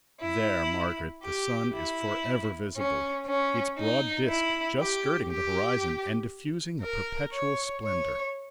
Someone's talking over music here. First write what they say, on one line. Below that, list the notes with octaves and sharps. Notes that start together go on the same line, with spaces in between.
There, Margaret, the sun is forever visible, its broad disk just skirting the horizon and diffusing a perpetual splendour.
E4
G4
E4
C#4
C#4
D#4
E4
G4
G4
A#4
C#5
C#5